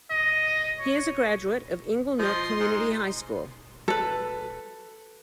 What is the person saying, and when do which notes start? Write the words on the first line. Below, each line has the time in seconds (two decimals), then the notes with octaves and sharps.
He is a graduate of Inglenook Community High School.
0.10 D#5
0.79 C#5
2.19 F3 D#5 C6
2.60 G#2
3.88 A4 B4